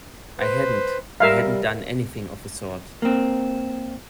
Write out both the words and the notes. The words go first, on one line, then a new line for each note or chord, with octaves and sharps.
I hadn't; I hadn't done anything of the sort.
B4 C5
G3 A#4 E5 F5
A#3 C4